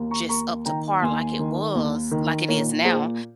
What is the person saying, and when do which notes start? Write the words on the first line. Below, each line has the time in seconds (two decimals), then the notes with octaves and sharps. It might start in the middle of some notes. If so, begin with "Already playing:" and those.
just up to par like it was like it is now.
Already playing: D#2 A#3
0.11 A#5 C#6
0.29 A#3 A#5 C#6
0.65 D#3 G5 A#5
1.02 D#2 G#5 C6
1.39 D#3
1.75 D#2
2.11 D#3
2.48 A#2 A#4 C#5
2.85 A#2 G#4 C5